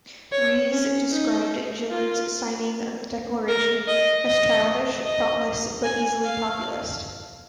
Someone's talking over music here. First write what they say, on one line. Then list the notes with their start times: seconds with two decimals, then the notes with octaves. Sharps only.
Rees described Gillard's signing of the declaration as childish, thoughtless but easily populist.
0.32 C#5
0.72 C#4
1.11 D#4
1.90 F4
3.49 A#4
3.88 D#5
4.27 D#5
5.05 D#5
5.84 G#5
6.24 F5